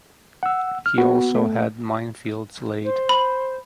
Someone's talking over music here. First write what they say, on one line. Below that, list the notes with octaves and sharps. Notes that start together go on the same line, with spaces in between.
He also had minefields laid.
F#5 E6
F6
B3 F#4
A3
C5
B5